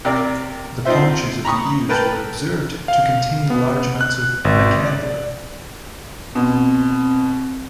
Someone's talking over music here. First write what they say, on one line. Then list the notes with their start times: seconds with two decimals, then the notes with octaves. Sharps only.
The paunches of the ewes were observed to contain large amounts of "Nicandra".
0.05 C3 A#4 D5
0.85 C4 D#4 F4 C5 E5
1.45 A#5 B5 C#6 D#6
1.89 A#4 B4 G5 A5
2.88 F5
3.50 B3
4.01 F#6
4.45 G#1
4.85 D5
6.35 B2 C4